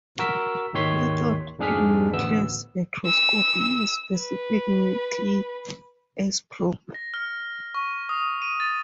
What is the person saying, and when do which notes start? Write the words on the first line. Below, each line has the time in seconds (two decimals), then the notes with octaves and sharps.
Methods in nuclear spectroscopy use specific nuclei as probe.
0.19 F#4 A#4 E6 B6
0.73 G#1 D#2 D#3 C#5 C6 B6
1.59 F2 G#2 D4 G#4 F6 B6
2.13 A1 D2 B3 E6
3.05 E6
4.18 B4
6.94 A#6
7.14 F6
7.74 C#6
8.09 D#6
8.42 D#7
8.60 A6